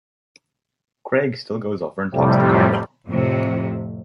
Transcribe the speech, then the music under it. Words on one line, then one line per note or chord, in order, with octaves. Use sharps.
Craig still goes over and talks to Karla.
F2 A2 C3 G3
F2 A2 C3